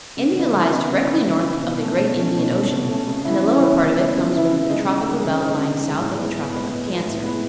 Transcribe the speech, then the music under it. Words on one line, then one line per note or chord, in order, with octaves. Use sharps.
India lies directly north of the great Indian Ocean, and the lower part of it comes within the tropical belt lying south of the Tropic of Cancer.
C#3
E3 B3 D#4
C#3
E3 B3 D#4
C#3
E3 B3 D#4
C#3
E3 B3 D#4
B2
A3 C#4
B2
A3 C#4
B2
A3 C#4
B2
A3 C#4
C#3
E3 B3 E4
C#3
E3 B3 E4
C#3
E3 B3 E4
C#3
E3 B3 E4
C#3
G#3 D#4
C#3
G#3 D#4
C#3
G#3 D#4
C#3
G#3 D#4
A2
G#3 B3
A2
G#3 B3
A2
G#3 B3
A2
G#3 B3